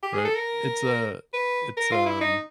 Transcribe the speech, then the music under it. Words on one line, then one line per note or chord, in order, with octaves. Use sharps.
Right, it's a it's, um
G4
G#4
A4
A#4
B4
A#4
F4
E4
D#4